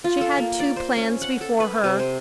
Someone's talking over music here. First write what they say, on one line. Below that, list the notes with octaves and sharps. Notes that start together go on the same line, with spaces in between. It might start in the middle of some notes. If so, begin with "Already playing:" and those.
She had two plans before her.
F4
A4
A#3
D5
C5
C#4
F#5
A4
B4
C3
C5